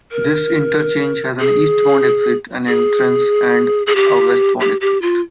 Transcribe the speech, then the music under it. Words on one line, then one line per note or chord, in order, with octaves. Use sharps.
This interchange has an eastbound exit and entrance and a westbound exit.
A#4
G#4
G#4
G#4
G4
G4
G4
F4